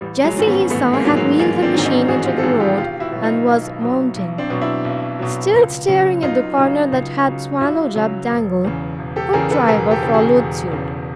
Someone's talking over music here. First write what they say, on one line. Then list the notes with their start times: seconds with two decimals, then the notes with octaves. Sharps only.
Jessie, he saw, had wheeled her machine into the road and was mounting. Still staring at the corner that had swallowed up Dangle, Hoopdriver followed suit.
0.01 A1 G3
0.24 F#3 G#3
0.36 G#2 D#3 F#3
0.47 B3 C#4
0.70 A1 A3 B3
0.93 G#3 A#3
1.05 G#2 D#3 F#3
1.16 F#3 G#3
1.39 A1 G#3 A#3
1.62 C4 D4
1.74 G#2 D#3 F#3
1.85 C#4 D#4
2.08 A1 F#4 G#4
2.25 F4 G4
2.38 A4
2.43 G#2 D#3 F#3 F#4 G#4
2.60 F4 G4
2.78 B1 F4 G4
3.00 E4 F#4
3.12 B2 F#3
3.24 D#4 F4
3.46 B1
3.81 B2 F#3
4.16 B1
4.38 C4 D4
4.50 B2 F#3
4.61 D4 E4
4.85 B1
5.19 B2 F#3
5.54 C#2
5.88 C#3 F#3
6.23 C#2 D#4 F4
6.57 C#3 F#3
6.92 C#2
7.26 C#3 F#3
7.61 C#2 E4 F#4
7.95 C#3 F#3
8.30 E1
8.65 E2 C#3
8.99 E1
9.16 G4 A4
9.33 E2 C#3 G#4 A#4
9.51 A4 B4
9.68 E1 G#4 A#4
9.91 G4 A4
10.03 E2 C#3
10.14 F#4 G#4
10.37 E1
10.72 E2 C#3